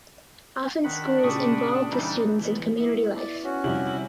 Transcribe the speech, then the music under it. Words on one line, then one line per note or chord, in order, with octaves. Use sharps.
Often schools involve the students in community life.
D#3 D4 F#5 B5
A#2 C#3 G4 B5 C#6 D#6
E3 G3 D#4
E3 G#3 B3
B3 E4
D5
C#4 F#4
C3 F3 G3 E4
E4